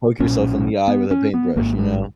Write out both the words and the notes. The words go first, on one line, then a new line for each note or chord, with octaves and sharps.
poke yourself in the eye with a paintbrush, you know.
B1 A#2 C#4
B3
C#4
B3
G#1 G#2 A#3
G#3